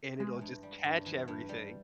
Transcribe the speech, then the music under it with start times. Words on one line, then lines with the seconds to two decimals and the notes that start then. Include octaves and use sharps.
And it'll just catch everything.
0.20 E3 G#3
0.41 G2
0.63 G3
0.84 G2
1.06 E3
1.28 G2
1.49 G3